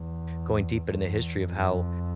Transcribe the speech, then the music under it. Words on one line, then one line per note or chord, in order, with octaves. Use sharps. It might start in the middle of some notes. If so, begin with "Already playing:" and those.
going deep into the history of how,
Already playing: E2
E2
F2